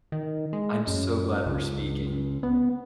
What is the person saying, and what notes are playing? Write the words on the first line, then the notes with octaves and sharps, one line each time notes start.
I'm so glad we're speaking.
D#3
G#3
F#2
C#2
B3